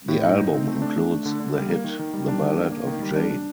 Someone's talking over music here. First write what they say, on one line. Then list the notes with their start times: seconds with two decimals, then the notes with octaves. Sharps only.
The album includes the hit "The Ballad of Jayne".
0.08 A2
0.23 D#4
0.38 D#4
0.53 C4
0.67 A3
0.82 D4
0.96 D4
1.11 A3
1.25 D3
1.40 D3
1.55 G3
1.70 A#3
1.84 D#3
1.99 D#3
2.14 G3
2.28 D4
2.43 D#3
2.58 A#3
2.72 A#3
2.87 D#3
3.02 G3
3.16 D4
3.31 D4